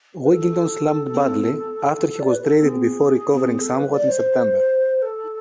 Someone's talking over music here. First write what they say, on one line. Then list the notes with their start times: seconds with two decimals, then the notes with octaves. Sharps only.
Wigginton slumped badly after he was traded before recovering somewhat in September.
0.22 B4
0.30 A4
2.19 D5
2.32 B4
2.43 A4
2.55 A4
2.66 G#4
3.60 A4
3.76 B4
3.92 D5
4.08 C5
5.02 A4